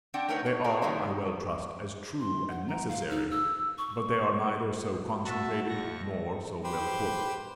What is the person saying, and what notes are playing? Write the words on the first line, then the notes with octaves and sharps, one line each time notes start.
They are, I well trust, as true and necessary; but they are neither so concentrated nor so well put.
C4 D4 D5 F#5 G5
A3 D#4 A#4 B4 C#5 F#5
C#5
A3 G#4 A#4
C3 D#3 F#3 A#3 C#4
C6
F#5
A#5
F5
D#4
E6
C#6
F#4 E5 A5
F2 C#6 A#6
G4 B4 C5